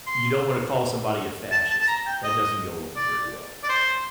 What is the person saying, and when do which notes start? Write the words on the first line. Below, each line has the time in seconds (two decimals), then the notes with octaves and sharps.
you don't wanna call somebody a fascist. That doesn't go over very well.
0.07 C6
1.51 A5
1.70 A5
1.81 A5
1.87 A#5
2.07 G5
2.24 D#5
2.96 D5
3.63 D5
3.69 C5